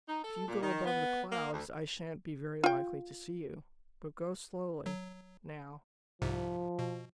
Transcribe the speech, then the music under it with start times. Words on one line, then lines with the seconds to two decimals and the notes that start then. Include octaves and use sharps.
If you go above the clouds I shan't be very likely to see you. But go slowly, now.
0.08 D#4
0.23 A4
0.48 A#2
0.62 D#3
0.85 B3
1.32 A#3
1.53 D2
2.64 F4 G5
4.86 F#3
6.22 C2 G#2 C3 F3
6.79 B2